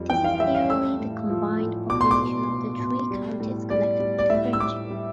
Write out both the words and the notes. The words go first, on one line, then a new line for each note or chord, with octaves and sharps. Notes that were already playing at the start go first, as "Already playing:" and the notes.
This is nearly the combined population of the three counties connected by the bridge.
Already playing: F2 G3
E3 G5
F5
F5
G3 E5
F5
A3 E6
A2
F3
A2
B2 D6
C6
D6
B2
B2
B2
G3
A2
G3 D5
G3
D5
A2 E5
E6
A2 D6
G3